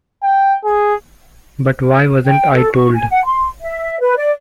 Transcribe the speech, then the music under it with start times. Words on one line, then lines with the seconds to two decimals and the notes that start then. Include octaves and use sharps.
But why wasn't I told?
0.23 G5
0.64 G#4
2.26 G5
2.53 A4
2.74 C#6
2.94 G#5
3.10 F#5
3.25 C6
3.60 E5
4.00 B4
4.17 D5